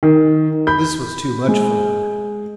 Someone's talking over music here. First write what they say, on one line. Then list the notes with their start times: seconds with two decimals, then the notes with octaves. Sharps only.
This was too much for her.
0.03 D#3
0.67 B5 G6
1.48 G#3